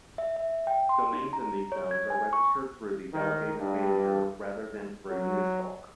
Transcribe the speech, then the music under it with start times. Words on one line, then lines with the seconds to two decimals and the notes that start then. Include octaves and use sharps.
Domains in these zones are registered through the delegated manager, rather than through Neustar.
0.18 E5
0.36 E5
0.67 G5
0.89 C6
1.13 D#4
1.33 A#5
1.72 C#5
1.91 G#6
2.10 G#5
2.33 C#6
3.13 D#3
3.59 G2
5.10 F#3